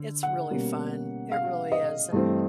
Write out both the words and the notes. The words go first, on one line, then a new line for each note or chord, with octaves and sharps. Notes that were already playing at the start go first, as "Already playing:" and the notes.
it's really fun, it really is, and
Already playing: D3
F#5
B2 G3 A#3 C#4
F5
D#5
G2 E3 A3 C4